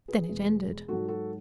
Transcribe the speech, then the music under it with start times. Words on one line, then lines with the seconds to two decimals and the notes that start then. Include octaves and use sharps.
Then it ended.
0.08 G#4 B4
0.29 E2 B2 G#3
0.88 G#2 F#3 F#4 A4
1.08 F#4 A4